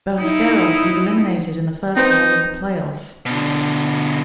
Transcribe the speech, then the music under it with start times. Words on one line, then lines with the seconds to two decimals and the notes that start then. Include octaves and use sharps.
Ballesteros was eliminated in the first hole of the playoff.
0.21 D#4 E4
1.97 C4 D#4 B4 G5
3.26 B2 D3